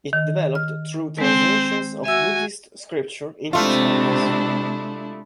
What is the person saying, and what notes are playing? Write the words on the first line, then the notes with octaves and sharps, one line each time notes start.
It developed through translations of Buddhist scripture into Chinese.
D#3
F6
G#3 C4 C5
F#4 E5 G#5 E6
C3 G#3 A3 D4 E4 F4